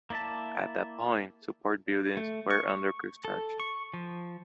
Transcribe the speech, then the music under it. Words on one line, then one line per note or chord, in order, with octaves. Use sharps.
At that point support buildings were under construction.
A#3 E4 D5 E5 A5
A3
C#6
A4
C#6
F3